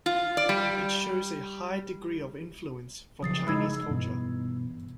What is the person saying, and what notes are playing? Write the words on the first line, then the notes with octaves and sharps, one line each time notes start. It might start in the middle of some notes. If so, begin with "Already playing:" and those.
It shows a high degree of influence from Chinese culture.
F4
D5
G3
C#3 F3 F#3 D#6 A6 C7
G#3 D#4 B5 E6 G#6
G2 B2 E3